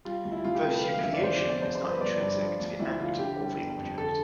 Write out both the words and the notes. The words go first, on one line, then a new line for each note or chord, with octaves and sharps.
The "humiliation" is not intrinsic to the act or the object.
G3 F4
D2
E4
D2 F4
G4
C3 A4
B4
D3 F5
F5
F1 E5
D5
F1 C5
D5
E2
D5
F3 C5
C5
G1
B4
G1 D5
G2
F3
D2
D2 E4
D3 F4
D3 G4
G3
G1
F2
D3 A4